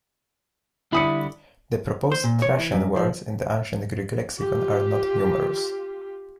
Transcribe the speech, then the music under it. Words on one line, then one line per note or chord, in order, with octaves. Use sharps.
The proposed Thracian words in the Ancient Greek lexicon are not numerous.
D3 G3 E4 B5 D#6 C#7
C5
A#2
C#5
E3
F#2
F3
F4 G4